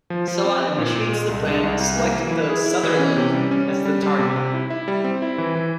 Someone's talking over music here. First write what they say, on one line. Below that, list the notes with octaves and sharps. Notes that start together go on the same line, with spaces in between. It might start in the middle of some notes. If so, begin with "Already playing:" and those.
Sela initiates the plan, selecting the "Sutherland" as the target.
F3
F3
C4
C4
A#2
A#2
G#3
C2
G#3
C2
C2
A#3
E3
E4
G#4
E4
E3
C#4
C3
G3
C#4
G3
G3
G3
C3
C3
E4
E4
G3
C4
E4
E3
E3